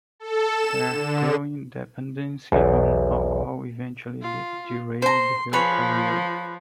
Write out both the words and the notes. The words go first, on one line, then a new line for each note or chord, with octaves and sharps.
Her growing dependency on alcohol eventually derailed her career.
A4
E7
D3
B1 E2
F4
C5 A#5 C6
F3 G#4 B4 C#5